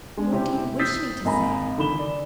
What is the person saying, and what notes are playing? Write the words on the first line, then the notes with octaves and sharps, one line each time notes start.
"What do you wish me to say?"
G#3 D4
C3 C4 E4 G4
D#6 E6 G6 A6 B6 C7
G#1 A#3 G#5 A#5 B5
D3 D#3 B5 E7 G7
D5